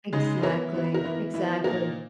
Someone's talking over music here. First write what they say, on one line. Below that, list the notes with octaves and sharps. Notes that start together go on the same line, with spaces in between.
Exactly, exactly.
C#3 G#3 D#4
E3 B3 E4 A#4 C#5
E3 B3 E4
B4
A#4
E3 B3 E4
E3 B3 E4
A#2 A#3 D#4 A#4